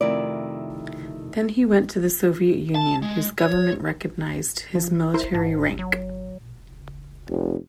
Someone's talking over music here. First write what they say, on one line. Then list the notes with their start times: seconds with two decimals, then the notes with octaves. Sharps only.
Then he went to the Soviet Union, whose government recognized his military rank.
0.01 F2 C3 D#3 A3 E4 D5
2.75 A5
3.02 G#3
3.39 C#5
4.75 F3
5.14 E4 A#4 C5
5.34 G#2 A5
5.79 F#3
7.29 F1